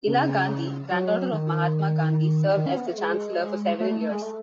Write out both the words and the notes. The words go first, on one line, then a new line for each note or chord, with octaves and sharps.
Ela Gandhi, granddaughter of Mahatma Gandhi served as the Chancellor for several years.
C#3
F#3
D#3
D#3
C#4
B3
A3
G#3
A3
A3
A3
G#3
A3